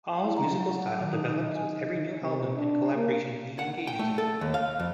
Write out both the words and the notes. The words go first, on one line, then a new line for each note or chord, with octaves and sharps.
Hall's musical style develops with every new album and collaboration he engages in.
E4
A#5
F#3
F#3
F#5
E6
D#3
D#4
D#4
D#5
G#5
D#5
C3
D4
A#3
F#5
G5
A3
A4
D#2
F5
F2